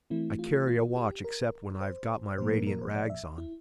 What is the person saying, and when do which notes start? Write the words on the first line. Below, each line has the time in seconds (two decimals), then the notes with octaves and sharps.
"I carry a watch except when I've got my radiant rags on."
0.10 E3 A3 C4 E4
0.39 F4
0.67 F4
0.97 G4
1.24 A#4
1.81 C5
2.38 A#2 F3 A#3 C5
2.53 A#4
2.67 A#4
2.82 C5
2.95 D5
3.10 E5
3.38 E4